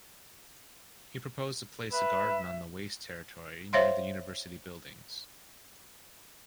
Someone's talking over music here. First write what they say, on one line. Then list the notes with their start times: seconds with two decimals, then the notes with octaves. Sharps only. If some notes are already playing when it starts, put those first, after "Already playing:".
He proposed to place the garden on the waste territory near the university buildings.
1.92 B4 E5
3.73 C5 C#5 E5 F5 C6